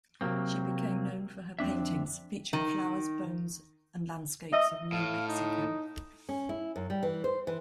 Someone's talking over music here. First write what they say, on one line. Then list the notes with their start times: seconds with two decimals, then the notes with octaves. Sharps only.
She became known for her paintings, featuring flowers, bones, and landscapes of New Mexico.
0.21 C3 F#3 A#3 C4
1.59 F2 C4 D4 E5
2.53 D#3
4.53 D#5 E5 E6
4.92 A2 F5
5.28 D#4
6.29 C#4
6.49 E4
6.76 F#2
6.90 G3
7.03 E3
7.24 C5
7.47 E3